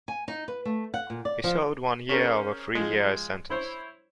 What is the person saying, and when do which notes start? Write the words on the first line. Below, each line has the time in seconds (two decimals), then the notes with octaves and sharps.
He served one year of a three-year sentence.
0.08 G#5
0.28 D#4
0.48 B4
0.65 A3
0.94 F#5
1.10 A#2
1.25 D5
1.44 F3
2.09 C#4 G#4 A#4 C5
2.75 F3 G#3
3.50 E4 C5 C#5